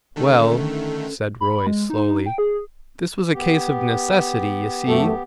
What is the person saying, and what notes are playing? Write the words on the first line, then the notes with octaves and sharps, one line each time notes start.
"Well," said Roy slowly, "this was a case of necessity, you see."
D3 D#3 A3 C#4 A4
B5
G#3
D#4
G5
G#4
B3 G4
F#2 A3